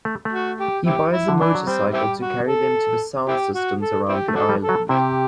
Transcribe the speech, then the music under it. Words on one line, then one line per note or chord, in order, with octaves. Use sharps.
He buys a motorcycle to carry them to the sound systems around the island.
A3
A3
F#4
G4
C4 E4 G4
E4
D3
E3 D4
F#3
G3 C4
C4 E4 G4
F#4
A4
C4 E4 G4
F#4
A4
C4 E4 G4
A3
D4 F#4 A4
G3
A4
F#3
C3 C4 E4 G4